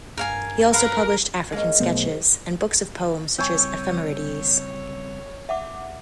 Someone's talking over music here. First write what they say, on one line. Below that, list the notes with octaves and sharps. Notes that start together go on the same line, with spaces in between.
He also published "African Sketches" and books of poems, such as "Ephemerides".
G2 A#4 F5 G#5
A#4 B4 F5
G#3 A#3 C#4
B1 A3 B3 C5
C#3 G3 C4 C#5 G5 G#5 C#6 E6
E5 F#5 D6